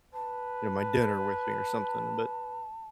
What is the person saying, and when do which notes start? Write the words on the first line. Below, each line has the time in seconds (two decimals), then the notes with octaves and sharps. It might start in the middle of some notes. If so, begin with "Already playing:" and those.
you know, my dinner with me or something, but
0.14 B4 A5